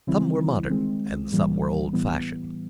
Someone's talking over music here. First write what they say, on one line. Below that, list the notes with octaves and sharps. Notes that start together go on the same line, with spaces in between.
Some were modern and some were old-fashioned.
C#3 E3 G3 C4 E4
D#3 G#3 C4
A2 E3 G3 A#3
A2 E3 G3 B3